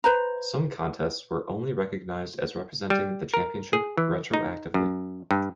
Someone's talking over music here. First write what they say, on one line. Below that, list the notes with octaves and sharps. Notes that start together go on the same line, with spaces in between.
Some contests were only recognised as representing the Championship retroactively.
B4 C5 A#5
G3
A#4
G#4
E3
D#4
F#2
G2